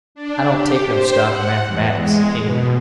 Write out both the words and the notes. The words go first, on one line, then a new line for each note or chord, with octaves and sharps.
I don't take no stock in mathematics, anyway.
D4
G4
C5
F#5
E2
G#3
B2